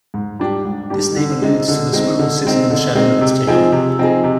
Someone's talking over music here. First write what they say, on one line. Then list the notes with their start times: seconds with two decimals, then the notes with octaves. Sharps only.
This name alludes to the squirrel sitting in the shadow of its tail.
0.14 G#2
0.39 G3 D4 G4
0.65 G#2
0.90 G3 D4 G4
1.16 D3
1.42 G#3 C4 D#4
1.68 D3
1.93 G#3 C4 D#4
2.19 D3
2.45 G#3 C4 D#4
2.70 D3
2.95 G#3 C4 D#4
3.21 C3
3.47 F3 C4 D#4 G#4
3.72 C3
3.99 F3 C4 D#4 G#4
4.24 C3